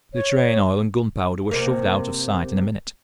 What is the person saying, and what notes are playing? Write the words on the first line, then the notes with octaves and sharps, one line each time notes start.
The train-oil and gunpowder were shoved out of sight in a minute.
C#5
C3 A#3